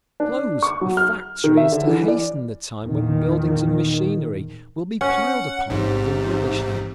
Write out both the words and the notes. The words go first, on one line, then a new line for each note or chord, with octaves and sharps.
To close a factory is to hasten the time when buildings and machinery will be piled upon the rubbish heap.
D4
C#6
F#3
F6
D#3
E5
D3
E3
D5
E2 A#2 D#3
C#4 F#5
A1 G#2 C3